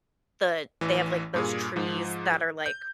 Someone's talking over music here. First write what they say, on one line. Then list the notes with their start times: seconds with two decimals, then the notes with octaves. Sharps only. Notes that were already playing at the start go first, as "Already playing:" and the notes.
the they have, like, those trees that are, like
0.81 A1 E3
1.34 G2 A#2 G#4
1.76 G#2 F3
2.66 G6